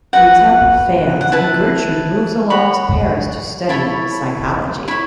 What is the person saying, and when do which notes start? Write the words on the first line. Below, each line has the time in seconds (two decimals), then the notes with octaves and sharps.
The attempt fails and Gertrud moves alone to Paris to study psychology.
0.13 F#4 B4 F#5
1.21 F#5
1.32 E4 B4 A5
2.50 F#4 C#5 B5
3.69 E4 A4 C#5 B5
4.88 E4 C#5 B5